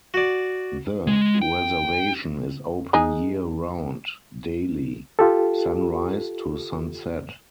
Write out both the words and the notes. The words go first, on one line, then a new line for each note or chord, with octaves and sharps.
The reservation is open year-round, daily, sunrise to sunset.
F#4 D5
G#3
G5
G#3 D#4 G#4
F4 G4 A4